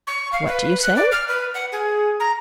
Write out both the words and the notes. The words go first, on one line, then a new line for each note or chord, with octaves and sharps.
"What do you say?"
C#6
F5
B4
F#6
D5
F6
B4
F#5
G#4
A#5